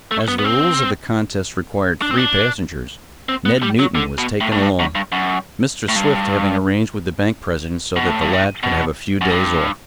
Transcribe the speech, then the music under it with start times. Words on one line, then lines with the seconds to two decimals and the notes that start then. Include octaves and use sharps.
As the rules of the contest required three passengers, Ned Newton was taken along, Mr. Swift having arranged with the bank president so that the lad could have a few days off.
0.11 A3
0.28 B3
0.39 B3
0.44 C4
2.02 D4
2.11 C4
2.17 D4
3.29 C4
3.46 B3
3.63 G3
3.79 F#3
3.95 D3
4.18 B2
4.41 A2
4.52 A2
4.62 G2
4.79 F#2
4.95 G2
5.12 F#2
5.88 A2
5.96 G2
7.96 B2
8.09 A2
8.21 G2
8.33 A2
8.63 B2
9.21 F#2
9.30 G2